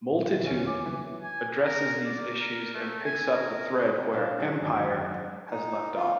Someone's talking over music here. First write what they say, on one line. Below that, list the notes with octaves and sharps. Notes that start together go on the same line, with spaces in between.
"Multitude" addresses these issues and picks up the thread where "Empire" has left off.
A#2
D#5
D#1 F2 D3 E3 C#4 C#5
D6
C#3 E3 F#3 D4
G#5
A#4
D5
A#4
A3
G#5
A#4
A#2 D4 F5
D#2 F#3 D4 G#4
G#1 F#2
D#4
F4